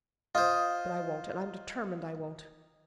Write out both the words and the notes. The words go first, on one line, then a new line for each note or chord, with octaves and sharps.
But I won't . . . and I'm determined I won't.
F4 C5 D#5